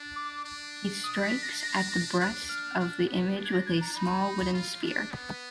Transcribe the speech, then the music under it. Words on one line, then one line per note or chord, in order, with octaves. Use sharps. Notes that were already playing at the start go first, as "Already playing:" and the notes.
He strikes at the breast of the image with a small wooden spear.
Already playing: D4
D6
D4
D#6
B6
A#6
A#6
A#6
A#6
D4 F#6
F6
D4
B3
D4
G#6
A#6
G#6
A#5
D#4 B5
F4
D4
B3